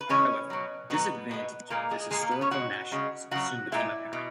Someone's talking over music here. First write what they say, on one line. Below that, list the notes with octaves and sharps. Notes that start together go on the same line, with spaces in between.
However, a disadvantage of this historical nationalism soon became apparent.
B4
C#3 E3 G#3 C#4 C#5
B2 F#3
B2 F#3 B3 B4
B2 G#3
A#2 G#3 A#3 A#4
G#3 G#4
A#2 G#3 G#4
A#3 A#4
B3 B4
C#4 C#5
B2 G#3 F#4 F#5
C#3 G#3
C#3 F#3 F#4 F#5
A#2 G#3 E4 E5
B2